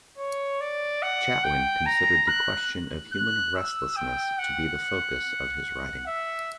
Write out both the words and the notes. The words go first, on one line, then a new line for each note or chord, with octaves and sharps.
Chatwin considered the question of human restlessness to be the focus of his writing.
C#5
D5
F#5
G5
A#5
F#6
F#6
E6
G5
F#5
E5